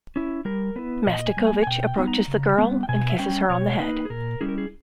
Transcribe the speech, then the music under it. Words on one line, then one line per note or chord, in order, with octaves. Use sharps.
Mastakovich approaches the girl and kisses her on the head.
C#4 E4
G3 A#4
B3 E4 B4
A#2 D#5
G#5
G3 A#3
G#5
G#5
B2 G5
G5
G3 B3 D#4
A#5
C#3
G3 B3
G5
B2 G#5
E5
G3 C#4 G5
B2 C#5
A#3 D#4 B4
G#4
A#2 A#4
G3 C#4 E4 G#4
A#4
G#4